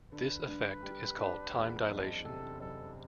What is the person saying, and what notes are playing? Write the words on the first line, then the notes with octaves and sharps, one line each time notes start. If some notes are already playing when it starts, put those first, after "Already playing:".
This effect is called time dilation.
D3 B4
G2
G3
D4
E2
F#1
C3 A4
F#1 A4